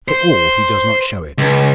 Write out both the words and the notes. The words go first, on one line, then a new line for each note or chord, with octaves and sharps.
For all he does not show it.
C5
C#2